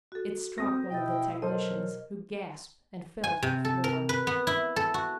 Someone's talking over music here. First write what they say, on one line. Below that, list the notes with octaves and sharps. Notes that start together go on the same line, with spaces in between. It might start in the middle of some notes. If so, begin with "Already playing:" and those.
It struck one of the technicians, who gasped and fell to the floor.
F#4 A4
C4 C5 D#6 A#6
B2 E4 D#5 G5 A6
F#3 A4 A#4 C5 D#5
G#5
C3
A4
A#4
B4
B3
E4
A4
F#4